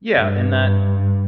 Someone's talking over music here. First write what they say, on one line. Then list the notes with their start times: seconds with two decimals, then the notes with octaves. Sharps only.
Yeah, and that
0.17 G2